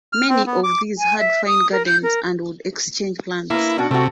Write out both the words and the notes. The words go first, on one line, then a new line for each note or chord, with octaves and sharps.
Many of these had fine gardens and would exchange plants.
F6
C4
B3
D6
G#5
E5
D#6
A#4
G6
A#4
A#3 E4 B4
B2 D4 F#4
C3 A3 F#4